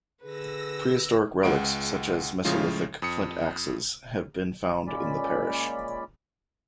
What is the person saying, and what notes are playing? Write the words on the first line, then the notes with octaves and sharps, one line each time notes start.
Prehistoric relics, such as Mesolithic flint axes, have been found in the parish.
D3 G#4 B4 E6 A#6
C#2 G#3 F#5 D7
A2 C#3 F3 G#3 F4
F2 D#6 C#7
A#2 G#3 C#4 D5 B5